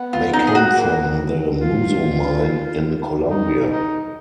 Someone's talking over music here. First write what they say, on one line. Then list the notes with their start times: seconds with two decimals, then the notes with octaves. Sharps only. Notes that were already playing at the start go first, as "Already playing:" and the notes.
They come from the Muzo Mine in Colombia.
Already playing: B3
0.13 F4
0.33 D#4
0.47 G#4
0.55 F#4
0.76 A#3 F#4
1.60 F4
3.28 D#4
3.70 D#4